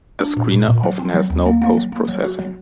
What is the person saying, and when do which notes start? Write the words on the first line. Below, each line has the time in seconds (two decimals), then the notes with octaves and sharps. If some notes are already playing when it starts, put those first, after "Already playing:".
A screener often has no post-processing.
0.21 D4
0.37 A#2
0.52 A#2
0.68 A#2
0.83 F#3
0.99 C4
1.14 F#3
1.30 D#2
1.46 A#3
1.62 A#3
1.77 F#3
1.92 A#3
2.08 F#3
2.24 F#4
2.40 F#3